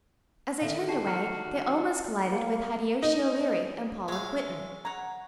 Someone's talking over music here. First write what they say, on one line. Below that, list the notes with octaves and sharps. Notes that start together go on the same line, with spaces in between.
As they turned away, they almost collided with Hideyoshi O'Leary and Paula Quinton.
D3 D#3 A4 E5 F5
D4 G4 G5 A5 C7
F#4 F6
A#3
D#4
G#3 C#5 E5 F5
C#5 F#5 A#5